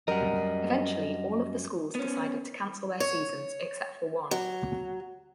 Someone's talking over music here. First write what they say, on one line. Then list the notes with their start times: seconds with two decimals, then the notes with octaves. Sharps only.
Eventually all of the schools decided to cancel their seasons except for one.
0.08 F#2 G3 A#4 D#5 F#5
1.95 B3 C#4
3.00 C#5
4.31 F#3